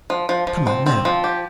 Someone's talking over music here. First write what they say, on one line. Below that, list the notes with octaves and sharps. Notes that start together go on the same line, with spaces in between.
"Come on--now."
F3
F3
F3
C4
C4
F3
G4